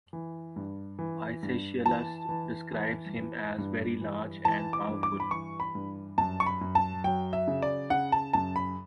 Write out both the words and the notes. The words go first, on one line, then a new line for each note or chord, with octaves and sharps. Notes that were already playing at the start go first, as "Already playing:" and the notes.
Aeschylus describes him as very large and powerful.
E3
G2
E3
G2
E3 A5
E3
E3
E3
G2
E3
E3 A5
D6
G2
D6
B5
E3 C#6
B5
G2
F#2 A5
C#6
B5
F#2
A5
F#3 G5
E5
C#3
D5
C#3 F#5
A5
F#2 A5
B5